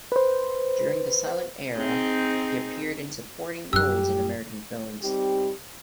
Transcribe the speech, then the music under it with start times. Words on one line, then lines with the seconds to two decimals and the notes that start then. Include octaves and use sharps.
During the silent era he appeared in supporting roles in American films.
0.12 B4 C5
1.76 C4 D#4 G#4
3.73 F#2 G3 G4 E6 F#6
5.02 G3 C4 D#4 G4